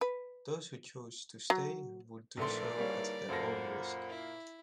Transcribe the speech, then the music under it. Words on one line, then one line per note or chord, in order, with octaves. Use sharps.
Those who chose to stay would do so at their own risk.
B4
F#3
A#1 G#2 D3 E3 A3 A#4 D5 C6
G3 A#3 C#5
F#2 A#2 A#3 A4 C5 F#5 B5 A#6
E4